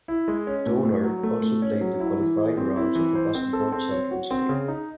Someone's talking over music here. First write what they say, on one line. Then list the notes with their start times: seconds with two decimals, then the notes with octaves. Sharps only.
Donar also played the qualifying rounds of the Basketball Champions League.
0.08 E4
0.28 G#3
0.47 C#4
0.66 A2
0.84 A2
1.04 F#3
1.23 A3
1.42 A2
1.62 C#4
1.81 F#3
2.00 E4
2.20 E3
2.38 G#4
2.57 C4
2.77 E4
2.95 E3
3.15 C5
3.35 C4
3.53 A4
3.72 C4
3.91 C#5
4.11 F#4
4.31 C4
4.49 C#3
4.68 D#4